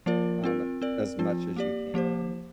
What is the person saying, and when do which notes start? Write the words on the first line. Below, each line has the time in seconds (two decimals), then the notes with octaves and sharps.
um, as much as you can,
0.06 F3 A#3 F4 A#4 D5
0.44 C4 F4 A#4
0.82 C4 A#4 D5
1.19 F3 C4 F4
1.56 A#3 G4 D5
1.94 F3 A#3 G4 C5